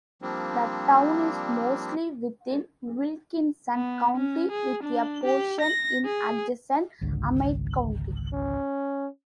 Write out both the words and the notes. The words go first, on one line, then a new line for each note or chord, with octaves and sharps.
The town is mostly within Wilkinson County with a portion in adjacent Amite County.
F3 G3 A#3 C4 D4
B3
C#4
G#4
D4
G4
A#6
G#4
G#1 C#2 D3
C#4